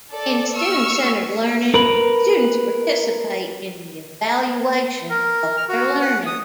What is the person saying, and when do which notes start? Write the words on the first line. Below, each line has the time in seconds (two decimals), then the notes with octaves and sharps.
In student-centered learning, students participate in the evaluation of their learning.
0.12 A4 D5
0.56 C#6 E6 F6
1.74 A#4 B4
5.10 A#4
5.57 F6
5.69 F#4
6.01 F#5
6.26 D#6